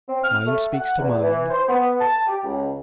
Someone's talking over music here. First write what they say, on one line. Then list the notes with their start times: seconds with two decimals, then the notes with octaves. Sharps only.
Mind speaks to mind.
0.08 C4
0.23 F6
0.46 A3
0.74 F#5
0.97 E2
1.24 E3
1.50 C5
1.68 B3
1.99 A5
2.26 G4
2.44 C#2